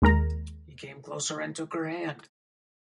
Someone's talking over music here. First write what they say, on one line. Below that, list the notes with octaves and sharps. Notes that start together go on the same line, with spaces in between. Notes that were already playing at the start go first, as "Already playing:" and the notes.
He came closer and took her hand.
D#2 G#3 A#4 A#5